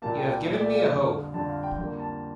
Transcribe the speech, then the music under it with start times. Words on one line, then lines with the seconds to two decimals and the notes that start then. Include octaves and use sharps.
You have given me a hope.
0.02 A#2 G3 A#3 A5
0.17 G5
0.31 G5
0.46 A#2 G3 A#3 E5
0.61 D5
0.76 F5
0.90 F2 D3 G3
1.34 F2 D3 G3 A5
1.49 F5
1.63 G5
1.78 F2 D3 G3 A#3
2.00 A5